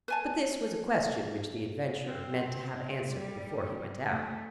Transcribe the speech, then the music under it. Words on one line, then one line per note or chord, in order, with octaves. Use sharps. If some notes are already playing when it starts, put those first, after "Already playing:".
But this was a question which the adventurer meant to have answered before he went out....
B4 G#5 A5
C4
G3
A3